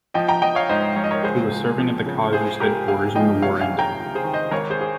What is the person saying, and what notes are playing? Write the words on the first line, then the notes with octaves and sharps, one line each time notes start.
He was serving at the Kaiser's headquarters when the war ended.
F3 D#5 G5
G5 A#5
F3 D#5 G5
C#5 F5
G#2 C5 D#5
A#1 C#5
D#5
A#4 C#5
C#2 G#4 C5
C#2
F3
C#3
C#2 G#4 C5
C#2 G4 A#4
C#2 F5 G#5
F3 D#5 G5
C3 C#5 F5
F5 G#5
D#3
G5 A#5
C#2
G#4 C5
D#3
C5 D#5
G#1 A#4 C#5
G#4 C5
G#4